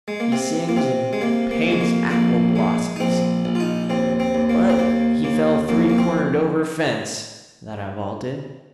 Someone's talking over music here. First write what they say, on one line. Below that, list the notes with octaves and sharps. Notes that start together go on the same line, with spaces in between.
He sings and paints apple blossoms, but he fell three-cornered over a fence that I vaulted.
G#3
A#3
C3 C4
A#3
C3 C4
G#3
C3 A#3
A#3
F2 G#3
A#3
A#1 A#3
G#3
D#4
A#1 C4
A#1
F4
D#4
D#2 C4
C4
D#2
A#3
C4
D#2 A#3
D#2 A#3
F2 A#3
A#3
C4